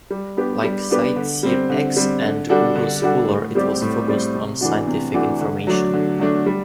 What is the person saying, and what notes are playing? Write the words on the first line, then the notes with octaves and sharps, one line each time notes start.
Like CiteSeerX and Google Scholar, it was focused on scientific information.
G3
B3 D4 G4 B4
G3
B3 D4 G4 B4
D3
G3 C4
D3
G3 C4
D3
G3 D4 F#4 A4
D3
G3 D4 F#4 A4
A2
G3 C4 G4 D5
A2
G3 C4 G4 D5
C3
E3 A3 D4 F#4
C3
E3 A3 D4 F#4
D3
F#3 A3 D4
D3
F#3 A3 D4
G3